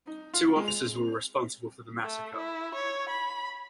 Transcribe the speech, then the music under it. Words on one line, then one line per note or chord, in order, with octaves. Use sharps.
Two officers were responsible for the massacre.
D#4
F4
G#3
F7
A3
E4
C#5
B5